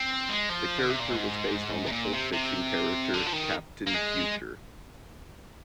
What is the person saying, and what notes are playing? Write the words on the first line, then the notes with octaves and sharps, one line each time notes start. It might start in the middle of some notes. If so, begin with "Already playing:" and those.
The character was based on the pulp fiction character Captain Future.
Already playing: C4
G#3
F3
D3
C3
A#2
G#2
C3
A#2
C3
C3
D3
F3
D#3
A#3
G#3